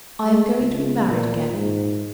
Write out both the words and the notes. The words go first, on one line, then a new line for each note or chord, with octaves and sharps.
I am going to be married again.
G#3
C#2
A#2
G#2